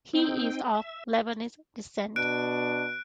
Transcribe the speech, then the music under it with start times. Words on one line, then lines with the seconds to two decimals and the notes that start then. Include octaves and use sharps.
He is of Lebanese descent.
0.13 C4 D#4 G5
0.75 E5
2.16 B2 D4 F#6 D7